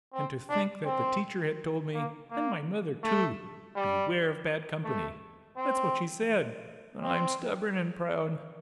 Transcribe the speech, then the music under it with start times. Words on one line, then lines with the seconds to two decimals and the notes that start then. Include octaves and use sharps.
And to think that the teacher had told me--and my mother, too!--'Beware of bad company!' That's what she said. But I'm stubborn and proud.
0.13 C4
0.49 D4
0.85 C4
1.94 A#3
2.30 A#3
3.03 A3
3.76 G3
4.84 A3
5.57 C4
7.02 C4